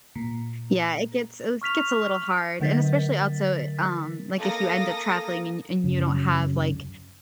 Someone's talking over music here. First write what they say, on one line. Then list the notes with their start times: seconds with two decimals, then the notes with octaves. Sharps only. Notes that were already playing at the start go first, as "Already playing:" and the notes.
yeah, it gets uh, it gets a little hard, and especially also, um, like, if you end up traveling, and y and you don't have, like,
0.15 A#2
1.62 C#6 F6 B6 F7
2.60 D3 F#3 A3 A#4 A6 B6
4.39 A#3 A4 D#6 A#6
5.83 F#2 C#3